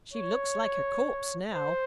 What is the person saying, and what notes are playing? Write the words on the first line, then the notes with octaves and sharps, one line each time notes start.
She looks like a corpse now.'
C#5
C5